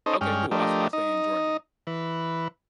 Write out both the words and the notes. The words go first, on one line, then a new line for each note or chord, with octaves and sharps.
okay, cool I I stay in Georgia.
C#4 D#4 A4 C5 D#5
G2 G#3 C#4 G5 F6
F3 A3 D4 G4 A#4 D#5
D#4 D#5
E3 B4